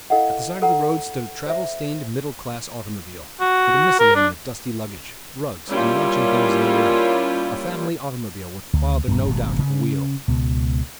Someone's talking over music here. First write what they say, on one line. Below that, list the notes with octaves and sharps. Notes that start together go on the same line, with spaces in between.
At the side of the road stood a travel-stained middle-class automobile, with a miscellany of dusty luggage, rugs and luncheon things therein--a family automobile with father no doubt at the wheel.
E4 A4 D#5 F5 F#5
A4 F#5 A#5
C5 E5
F#4
A#4
D4
G3 A#3 C#4 E4 F4
D2
D#1 G2
D#1 G#1 G#2 B2
C#3 C4 C#4
C#2 B2